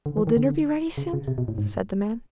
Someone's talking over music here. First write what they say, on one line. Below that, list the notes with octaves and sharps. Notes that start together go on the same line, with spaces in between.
"Will dinner be ready soon?" said the man.
D3
E3
D#3
D3
C#3
C#3
C3
B2
A2
G#2